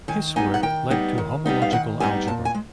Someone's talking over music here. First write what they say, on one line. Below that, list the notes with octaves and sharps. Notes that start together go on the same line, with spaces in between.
His work led to homological algebra.
D#3 G#5
G3 B3 D#4 G#5
F#5
D#3 G5
G3 B3 D#4
D#3
G3 B3 D#4
F5
D#3 F#5
G3 B3 D#4 G#5
A#2 A5
G#5
G#3